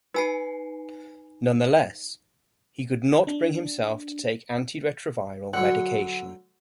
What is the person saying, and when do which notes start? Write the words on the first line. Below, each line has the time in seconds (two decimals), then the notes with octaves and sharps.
Nonetheless, he could not bring himself to take antiretroviral medication.
0.14 D#4 B4 G#5 C7
3.27 D4
5.53 D3 F#3 F#5